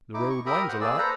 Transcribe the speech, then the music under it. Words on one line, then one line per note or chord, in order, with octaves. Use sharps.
The road winds a lot.
D#4 E4 D6
C#6
G4 A#4 E5 A#5 B5 D#6
C5 F#5
A#3 G#4 D5 E6
A4 B4 C5 A#5